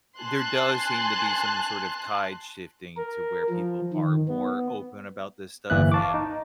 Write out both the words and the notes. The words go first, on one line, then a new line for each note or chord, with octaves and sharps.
there does seem to be some sort of tide shifting to where people are more open about this stuff and
G#5 A5 C6 F#6
A#4
F3
D#3
B3
G1 E3 A#3 E5 F#6
F5 A5 C#6 D6
D#4